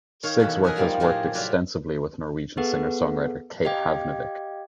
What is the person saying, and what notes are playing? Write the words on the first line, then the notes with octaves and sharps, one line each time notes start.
Sigsworth has worked extensively with Norwegian singer-songwriter Kate Havnevik.
D#3 C#5 F5
B2 D#3 E3 A4 B5
G#4 A#4 B4 D#5 E5 F#5
F3 G3 A#3 C4 D#4
A2 F3 A3 A#3 G4 G#4
A2 C3 F#3 F4 D5 E5
B3 G#4 A4 B4 F#5
G4 D#5 F5 G5 D6 G#6